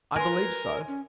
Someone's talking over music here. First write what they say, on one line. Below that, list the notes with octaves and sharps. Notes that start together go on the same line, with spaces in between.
"I believe so."
A#4 B4 G#5 C6
C#4